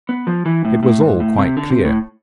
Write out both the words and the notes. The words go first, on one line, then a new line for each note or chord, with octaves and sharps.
It was all quite clear.
B3
F3
E3
A2
A2
G#2
A2
C3
D3
C3
A2